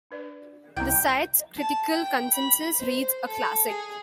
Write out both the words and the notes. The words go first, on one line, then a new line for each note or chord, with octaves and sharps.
The site's critical consensus reads, A classic.
D4 B4 D5
C2 E4 D5 G5 A#5
A5
G5
B5
C5
A4
G#4